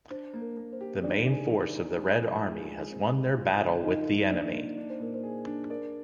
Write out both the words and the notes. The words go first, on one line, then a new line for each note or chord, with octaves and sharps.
The main force of the Red Army has won their battle with the enemy.
D4 C5
A#3
A#4
A#3
C5
G4
D#3 D4 D5
G#4
D#3
D#4
G#3
F3
G#3
G#3
C4
C4
F4
D3
D#4 F4 D#5
F3
A#3 D4 D5
A#3
D4 D5
C5
A#2 A#4
C5
G#4
D4
A#4 D5